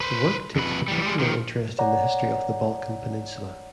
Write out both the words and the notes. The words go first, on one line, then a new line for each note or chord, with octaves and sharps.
The work takes particular interest in the history of the Balkan peninsula.
B4 C5
F2 B4
E3 G3
G3 G#3
D#3 F3
C#5 D5 F#5 A#5